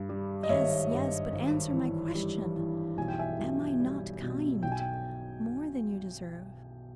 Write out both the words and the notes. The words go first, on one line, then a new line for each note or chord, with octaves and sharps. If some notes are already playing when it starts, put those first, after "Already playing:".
"Yes, yes; but answer my question; am I not kind--more than you deserve?"
Already playing: G2
G3
D#5
G#1 C#5 E5
G2
G#1
E3
G3
E3
B1 G#5
G5
E5 G#5
B1
G3
B2
B1 G5
G#5
G5